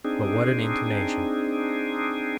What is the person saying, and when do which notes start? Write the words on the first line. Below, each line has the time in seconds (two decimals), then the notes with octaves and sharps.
But what an intonation!
0.04 C4 D4 D#4 G#4